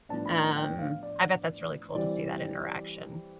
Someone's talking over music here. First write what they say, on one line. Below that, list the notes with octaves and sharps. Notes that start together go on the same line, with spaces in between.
um, I bet that's really cool to see that interaction.
A2 F3 B3 D4 A5
B5
A5
G5
F5
D5
E3 G3 C4 D5